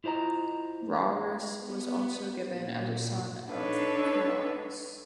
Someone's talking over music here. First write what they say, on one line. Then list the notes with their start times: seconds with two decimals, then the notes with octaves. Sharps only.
Rarus was also given as a son of Cranaus.
0.04 E4 F4 C5 D#5 A#5
1.58 B3
2.48 A#2
3.48 D4 D#4 A4 B4 C#5